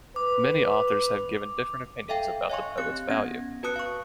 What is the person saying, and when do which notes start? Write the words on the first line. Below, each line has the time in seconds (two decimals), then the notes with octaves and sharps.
Many authors have given different opinions about the poet's value.
0.16 B4 D6
2.09 A4 E5 F5 G5
2.50 C#5 D#5 F5 G#5 C6 C#6
2.78 C4 G4 F5 F#6
3.08 B3 C#4 G#6 A#6
3.63 F#4 B4 A5 D#6 F#6 C#7
3.76 F5 C#6